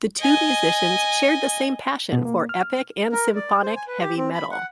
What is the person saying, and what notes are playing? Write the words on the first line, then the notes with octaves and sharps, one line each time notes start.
The two musicians shared the same passion for epic and symphonic Heavy Metal.
D#5 G#5
B2
A#3
F6
A#4
D5
C5
G#5
B4
G4
C4
B5
F#5